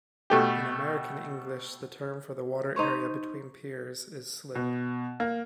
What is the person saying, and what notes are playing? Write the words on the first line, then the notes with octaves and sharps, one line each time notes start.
In American English, the term for the water area between piers is "slip".
B2 A3 G4
D#4 C5 C#5
B2
A#3